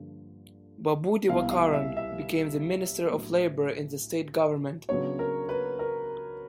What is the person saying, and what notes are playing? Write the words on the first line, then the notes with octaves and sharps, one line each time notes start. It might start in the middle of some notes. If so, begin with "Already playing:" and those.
Babu Divakaran became the Minister of Labour in the state government.
Already playing: G2 D3 F3 A#3
C2 B2 G3 B3 E4 F5
F5
E5
E5
A2 F#3 A3 D4
C#3 F#3 B3 D4 C#5
A#4
B4
A#4